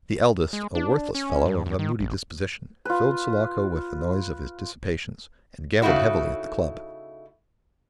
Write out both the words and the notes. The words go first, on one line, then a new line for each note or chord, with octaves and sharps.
The eldest, a worthless fellow of a moody disposition, filled Sulaco with the noise of his dissipations, and gambled heavily at the club.
G#3
D4
C#4
G2
E2
D#3
A1
F4 B4
C#3 A3 D#4 E4 F#4